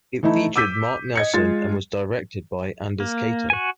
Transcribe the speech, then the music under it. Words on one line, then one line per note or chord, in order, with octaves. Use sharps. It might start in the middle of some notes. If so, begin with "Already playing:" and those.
It featured Mark Nelson, and was directed by Anders Cato.
E3 A3 D#4 E4
D6 E6 G6 B6 D#7
D#5 G#6 C#7
G#3 F4 A6
A#3
F#4 G#5